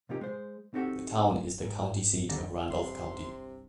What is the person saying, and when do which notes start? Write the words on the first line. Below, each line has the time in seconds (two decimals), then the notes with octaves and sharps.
The town is the county seat of Randolph County.
0.09 C3 F3 A#3 D#4 G4
0.21 G#3 C5
0.74 C4 D#4 F#4 G4 A4 F#5
1.61 E2 G#2
2.29 D#2 D3 G3 B3 D5 A#5
2.71 C2 G2 C3 G3 C6